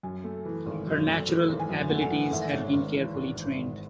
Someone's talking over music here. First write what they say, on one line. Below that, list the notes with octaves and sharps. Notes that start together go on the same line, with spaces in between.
Her natural abilities had been carefully trained.
F#2 G#5
A3
E3
G#1
F#2
A3
E3
G#1
G#5
F#2
A3 F#5
G#5
E3 F#5
G#1 E5
G#2 C#5
G#1
E3
G#1
G#2
G#1